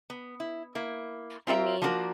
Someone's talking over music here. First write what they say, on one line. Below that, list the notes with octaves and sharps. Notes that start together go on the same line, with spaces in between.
I mean,
B3
E4
A#3 E4
C4 F4 A#4 E5
F3 A#3 D4 F#4 G#4 A#4